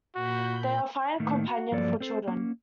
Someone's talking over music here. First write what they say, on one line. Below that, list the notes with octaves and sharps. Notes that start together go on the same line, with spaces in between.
They are fine companion for children.
A#2 F#4 B5 G6
A2 D#3 A3 A#3
F#4
G2 F3 F#3 A#3 A4 D5
C4 A4 C5
A#3 C#4